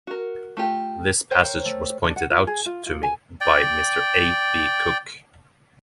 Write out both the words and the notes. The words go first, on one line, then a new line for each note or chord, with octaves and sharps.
This passage was pointed out to me by Mr. A. B. Cook.
F#4 A#4
A3 F4 G4
A#4 C5 C#5 G5
A3
D4
F#5
F4
G#4
F4
F4
G#5
D5 G5